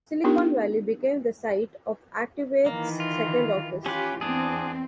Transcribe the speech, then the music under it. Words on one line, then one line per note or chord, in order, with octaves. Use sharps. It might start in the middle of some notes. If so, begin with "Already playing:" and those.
Silicon Valley became the site of Activate's second office.
B3 D4 D#4 F4 G4 A#4
D#3 E3 A#3
F4
C#4 F4 G4 B4
E2 B3 C4 D4 G#4